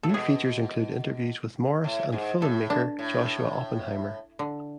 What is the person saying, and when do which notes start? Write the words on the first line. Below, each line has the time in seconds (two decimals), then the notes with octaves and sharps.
New features include interviews with Morris and filmmaker Joshua Oppenheimer.
0.03 A4
0.09 A2
0.14 B2 G#4
1.84 A2
2.12 G#2
2.41 A2 A4
2.70 D4
2.99 A2
4.39 D3